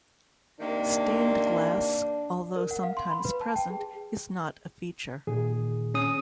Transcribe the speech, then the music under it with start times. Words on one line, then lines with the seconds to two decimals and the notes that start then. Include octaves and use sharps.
Stained glass, although sometimes present, is not a feature.
0.60 C3 D#3 A#3 D4
2.56 A#4
2.71 F#5
2.83 F5
2.97 C6
3.10 B5
3.25 B4
3.41 A5
3.56 G5
3.70 G#4
5.27 A#2 D#3 G#4
5.94 C#4 D#6